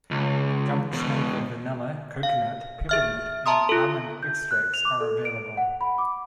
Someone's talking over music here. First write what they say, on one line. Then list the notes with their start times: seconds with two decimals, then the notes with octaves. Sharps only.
Gums made with vanilla, coconut, peppermint, and almond extracts are available.
0.11 C#2
0.92 E2 B2
2.23 F5
2.89 G#4 E5 F6
3.46 E5 A5 A#5 C6 D#6
3.69 F4 A4
4.23 G6
4.51 F#6
4.74 F7
4.85 D6
5.01 A4
5.25 D7
5.57 F#5
5.81 B5
5.98 D6